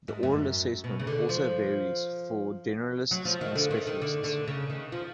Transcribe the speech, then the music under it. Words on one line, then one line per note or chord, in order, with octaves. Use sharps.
The oral assessment also varies for Generalists and Specialists.
G#2
F#2
B2
C#3
D3
F3
F#3
F3
D#3
D3
D#3
D#3
D3
D3
C#3
D#3
F3